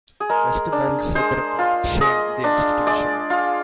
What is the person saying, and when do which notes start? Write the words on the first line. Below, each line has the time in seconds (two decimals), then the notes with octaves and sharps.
Westerwelle said the report "shamed" the institution.
0.20 G#4
0.29 G#3 A#4
0.72 D4
1.15 G#3 C5
1.58 F4
2.01 G#3 D#5
2.44 D4
2.87 G#3 D5
3.30 F4